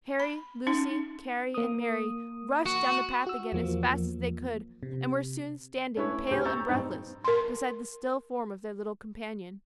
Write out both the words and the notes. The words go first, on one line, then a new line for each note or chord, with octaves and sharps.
Harry, Lucy, Carry, and Mary, rushed down the path again as fast as they could, and were soon standing pale and breathless beside the still form of their little companion.
B5
C#4 D#4
A#3 D#6
F#4
F#4 E6
E2 F3 A#3
C3
A3 C#4 E4 B4 C#5
D2 C#3 C4 G4 C5 G6
A#5 C#6 E6 G6 A6
G2 B2 C4 D#4
A#4 C6